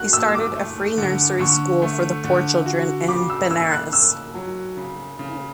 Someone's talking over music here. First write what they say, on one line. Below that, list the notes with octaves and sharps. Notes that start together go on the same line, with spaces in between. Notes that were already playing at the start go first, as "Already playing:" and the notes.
He started a free nursery school for the poor children in Benaras.
Already playing: F#4 F#6
A3 E6
E6
D6
A3
D3
D3 C#6
A3
D3
F#4
C#3 D6
E6
C#3 E6
F#6
C#3 E6
F#3
C#3
C#3